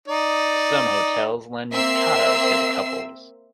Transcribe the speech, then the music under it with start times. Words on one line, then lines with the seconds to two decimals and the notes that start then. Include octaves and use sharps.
Some hotels lend yukatas to the couples.
0.08 D#4 D5
1.73 A#3 C4 E5 E6 C7